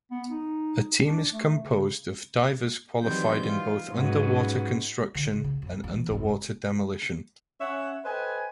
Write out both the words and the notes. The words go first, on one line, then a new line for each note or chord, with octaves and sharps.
A team is composed of divers qualified in both underwater construction and underwater demolition.
B3
D#4
D4
A3
C#3
D#3 E3 F#3 G3 C4 G6
F4
G#2 F#3 B3 C#4
D3
C#3
E4
F2
E3
F1 F#2
C#4 C#5 E5 F#5
A4 B4 C5 D#5 G5 G#5